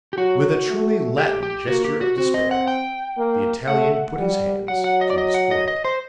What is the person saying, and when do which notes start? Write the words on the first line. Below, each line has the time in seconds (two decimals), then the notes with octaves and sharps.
With a truly Latin gesture of despair, the Italian put his hands to his forehead.
0.13 G4
0.18 F#3 F#4
0.68 A3
1.18 G4
1.43 G4
1.68 A#3 F#4
1.85 G4
2.01 F#4
2.17 C4 F#4
2.34 D#5
2.51 F#5
2.68 G5
3.18 A#3
3.67 A3 F#5
4.18 G3
4.68 F#3 F#5
4.84 F#5
5.01 D#5
5.10 D5
5.18 D#5
5.34 F#5
5.51 D#5
5.68 D#5
5.85 C5